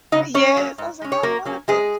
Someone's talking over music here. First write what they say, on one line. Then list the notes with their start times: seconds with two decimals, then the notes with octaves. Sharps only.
yes, I was like, "I love it."
0.12 C#3 F#3 D#4 D#5
0.34 F#2 C#4 C#5
0.57 F#3 A#3 C#4
0.78 G#2
1.02 G#3 C#4
1.12 C#5
1.23 F#2 A#3 A#4
1.45 F#3 A#3 C#4
1.68 F#2 G#3 G#4